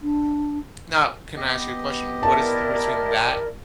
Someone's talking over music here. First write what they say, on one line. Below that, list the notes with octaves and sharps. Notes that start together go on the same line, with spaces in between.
Now, can I ask you a question? What is the difference between that
D4
B3 G4 D#5
E4 A#4 D5 A5